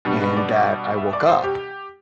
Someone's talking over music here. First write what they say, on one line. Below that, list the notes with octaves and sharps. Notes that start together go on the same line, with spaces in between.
and that I woke up
B2 G3 B3 D4
B4
D5
E5
D5
C5
G4